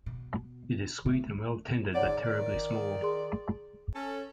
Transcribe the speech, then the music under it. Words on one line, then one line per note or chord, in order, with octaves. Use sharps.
It is sweet and well tendered but terribly small.
B2
A3
G#2 C#5 D5 F#5
D#3 D5
G#4 C6
C#4 A4